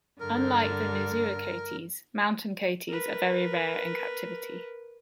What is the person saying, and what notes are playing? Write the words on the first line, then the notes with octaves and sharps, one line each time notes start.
Unlike the "Nasua" coatis, mountain coatis are very rare in captivity.
G2 D3 A#4
A#4 B4